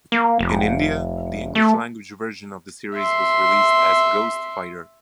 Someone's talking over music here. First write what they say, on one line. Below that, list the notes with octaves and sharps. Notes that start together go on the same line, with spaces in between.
In India the English-language version of the series was released as "Ghost Fighter".
A#3
F1
A3
E5 C6